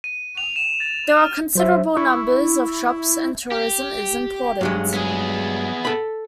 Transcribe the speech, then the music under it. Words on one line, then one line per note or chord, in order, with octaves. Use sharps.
There are considerable numbers of shops, and tourism is important.
D#7
F7
E7
A6
F6
F#3 C5 E5
E4 C#6
G4
G2 F#3 G#3
B3 G#4
A4 B5